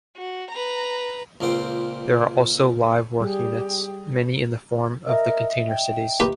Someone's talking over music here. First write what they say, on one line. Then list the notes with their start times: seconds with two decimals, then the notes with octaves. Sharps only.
There are also live-work units, many in the form of the Container Cities.
0.17 F#4
0.51 B4 A#5
1.41 C#2 A#2 C4 C5 G5
3.20 G3 G4 G#4
5.06 A#4 D#5 E5
5.69 G5
6.20 D#2 G4 B4